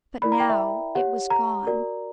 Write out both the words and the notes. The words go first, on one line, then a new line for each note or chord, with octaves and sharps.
But now it was gone.
E4 A#4 D5 B5
A#5
G5
E5
G4 C#5 F#5
A#5
F#4 A#4 D5